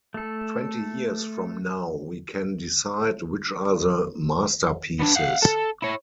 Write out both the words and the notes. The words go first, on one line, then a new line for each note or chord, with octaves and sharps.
Twenty years from now we can decide which are the masterpieces.
A3 A4
B3 D4
F5 F#5
A4
E4 C#5